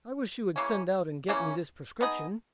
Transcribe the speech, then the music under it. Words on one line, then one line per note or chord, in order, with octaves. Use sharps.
"I wish you would send out and get me this prescription."
C#3 E3 A#3 C#4
C#3 E3 A#3 C#4
B3 D#4 G#4 D#5